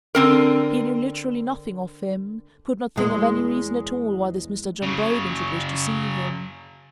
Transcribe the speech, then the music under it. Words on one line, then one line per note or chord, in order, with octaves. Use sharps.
He knew literally nothing of him--could not think of any reason at all why this Mr. John Braden should wish to see him.
D3 C4 A#4
E2 G#3
C#3 F#3